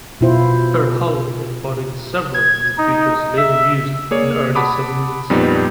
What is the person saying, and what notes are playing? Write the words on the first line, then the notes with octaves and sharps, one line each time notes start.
Her hull embodied several new features later used in early submarines.
B2 B3 E4 F4 C5
G#6
D#4
E5
A#3 G#4 C#5 D5
F#5 A5 B5 D6 D#6
F2 A#2 G3 B3 D#4